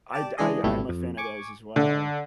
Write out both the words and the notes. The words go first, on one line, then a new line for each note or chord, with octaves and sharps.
I'd I I am a fan of those as well.
G4 D5 A5
E3 G#3 D4 G#4 D#5
G#1 B2 G3 A3 E4
F2
G#5 C#6 D6
D3